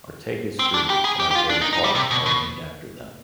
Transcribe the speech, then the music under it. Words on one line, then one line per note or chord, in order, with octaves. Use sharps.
Arteaga Street and Arteaga Park are named after them.
C4
D4
G4
G#4
G4
G4
F4
D4
D#4
D#4
G3
C3
B2
B2